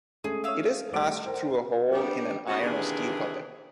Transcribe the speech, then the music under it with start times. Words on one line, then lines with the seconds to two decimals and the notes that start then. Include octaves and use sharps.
It is passed through a hole in an iron or steel puppet.
0.24 G#3 A3 C#4 G#4
0.44 G#4 C#5 E5 F5 E6
0.93 G3 A3 D5 F#5 D7
1.24 A#4 C5 G5
1.93 G3 B3 D4
2.47 B3 C#4 D#4 F#4
2.61 C3 D#3 E3 A#3 D4 G#4